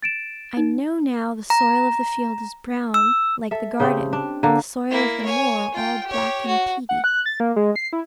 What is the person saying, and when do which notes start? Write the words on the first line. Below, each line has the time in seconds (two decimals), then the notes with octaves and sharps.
I know now the soil of the field is brown, like the garden; and the soil of the moor all black and peaty.
0.02 A6 D7 E7
0.57 D#4
1.50 A#5
2.94 E6
3.51 A4 E5
3.80 C#3 C4 G4
4.13 D4
4.43 D3 A#3
4.90 A#3 E4
5.25 C#5 G#5
5.74 F4 G5
6.07 G4 C#5
6.46 F#4
6.89 F#5
7.04 F#6
7.26 A6
7.40 A#3
7.56 G#3
7.76 C7
7.93 E4